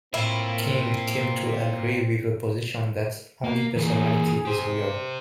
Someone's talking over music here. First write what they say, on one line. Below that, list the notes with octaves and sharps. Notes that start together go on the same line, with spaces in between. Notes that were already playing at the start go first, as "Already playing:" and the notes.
King came to agree with the position that only personality is real.
A2 A#3 C4 E4 F4
A#3
E3 A#3 G#4
G4 C5